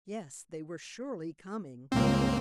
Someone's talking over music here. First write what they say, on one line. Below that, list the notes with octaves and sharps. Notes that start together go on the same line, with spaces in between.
Yes, they were surely coming!
C#2 G2 A#3 C4